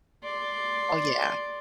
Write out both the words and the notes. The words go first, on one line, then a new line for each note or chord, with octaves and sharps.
Oh, yeah.
D5 C6